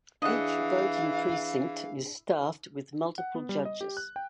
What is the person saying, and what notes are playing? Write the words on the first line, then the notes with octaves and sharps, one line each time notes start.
Each voting precinct is staffed with multiple judges.
E3 D4 G#4 D#5 F5 F#5
F#5
B3
G3
D#5
G4
F#6
G5